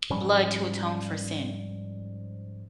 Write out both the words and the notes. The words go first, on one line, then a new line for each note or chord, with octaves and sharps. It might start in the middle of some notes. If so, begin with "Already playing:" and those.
blood to atone for sin.
G#2 F3 G3 C#4